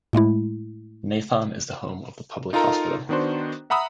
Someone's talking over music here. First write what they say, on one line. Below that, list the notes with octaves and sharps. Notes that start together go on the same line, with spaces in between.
Nathon is the home of the public hospital.
A2 G#3 A3 E4
D#4 F4 A4 A#4 A#5
D#3 B3 D4 F#4 C5
E5 F#5 A#5 B5 D#6 E6